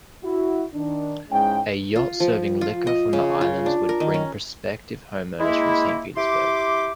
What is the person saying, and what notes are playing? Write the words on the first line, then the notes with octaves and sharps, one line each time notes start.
A yacht serving liquor from the islands would bring prospective homeowners from Saint Petersburg.
E4 F#4
D#3 D4
G#2 G#3 C#4 E4 G5
F4
F3
F4
D#5
C#3
F4
D4
A#4
D#3
C#4
G#3 A#3 E4
E4 G4 C6 D6